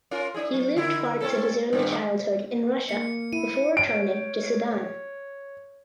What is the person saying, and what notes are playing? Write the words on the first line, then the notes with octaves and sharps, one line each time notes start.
He lived parts of his early childhood in Russia before returning to Sudan.
C#4 F4 A#4
D4 E4 G#4
F#3
D3 E4 A#4
C4 C#4 A4
G2 A#2 D#3
A#3 C#7
E4 D#7
C#5 D7